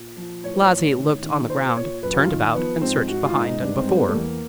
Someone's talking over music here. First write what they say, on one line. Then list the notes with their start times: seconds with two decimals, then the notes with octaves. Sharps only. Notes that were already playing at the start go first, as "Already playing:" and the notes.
Blasi looked on the ground, turned about, and searched behind and before.
Already playing: A#2
0.17 F3
0.44 A2 C#5
0.54 C5
0.64 C#5
0.71 A2
0.97 D#3
1.23 D#3
1.50 A#2 C5
1.76 A#2 C#5
2.03 F#2 B4
2.14 F#4
2.20 F4
2.28 D#3
2.55 F3 B3
2.81 G#2 C4
3.08 G#2 F#4
3.26 F4
3.35 G#2
3.43 D#4
3.61 G2 D4
3.78 C4
3.87 G3
3.96 B3
4.09 A3
4.14 E2 A#3